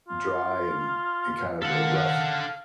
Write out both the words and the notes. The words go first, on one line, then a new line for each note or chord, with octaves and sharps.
dry and and kind of a rough
F4
D#3 A4 F5 F#5